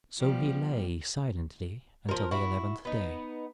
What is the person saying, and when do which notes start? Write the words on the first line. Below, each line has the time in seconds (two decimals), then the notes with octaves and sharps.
So he lay silently until the eleventh day.
0.18 F3 G3 B3
2.09 F3 A#4
2.31 E4 F#4
2.85 B3 D#4